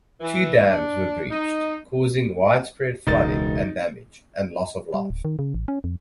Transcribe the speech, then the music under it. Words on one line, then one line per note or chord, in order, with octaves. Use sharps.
Two dams were breached, causing widespread flooding and damage, and loss of life.
E3
D4
D#4
E1 C#2 D#4 A6
G3
D1
D#3
C#3
A1
C#4
F2